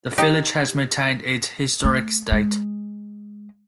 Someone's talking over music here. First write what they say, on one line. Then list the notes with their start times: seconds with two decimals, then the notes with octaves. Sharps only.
The village has maintained its historic state.
0.18 D#4 G4
1.84 A3
2.32 G#3